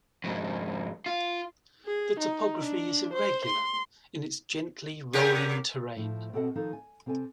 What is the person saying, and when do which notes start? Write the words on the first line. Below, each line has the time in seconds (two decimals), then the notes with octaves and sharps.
The topography is irregular in its gently rolling terrain.
0.24 F2 G#2
1.06 F4
1.86 G#4
2.20 D#4
2.59 D4
3.14 C5
3.45 C6
5.13 C#3 G4 A#4
5.96 A2 F3
6.33 B2 C4 A4 D#5 F#5 A5
6.55 D#3 F3 D#4 A4
6.73 G#5
7.06 C3 C4 A4 G5 G#5